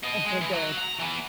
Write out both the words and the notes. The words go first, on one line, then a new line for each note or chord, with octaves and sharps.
Okay, good.
B2 D#5
G#3
E3
F#3
A#5
E3 B3